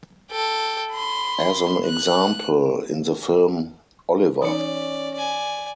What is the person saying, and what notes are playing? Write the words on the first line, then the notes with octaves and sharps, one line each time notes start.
As an example, in the film Oliver!
A4 G5
B5 C6
F#6
E3 C#4 D#4 D5
D5 G#5